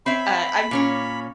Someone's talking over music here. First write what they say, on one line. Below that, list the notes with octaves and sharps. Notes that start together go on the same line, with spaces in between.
uh, I'm
C4 C#5 E5 B5
A#2 C#4 C#5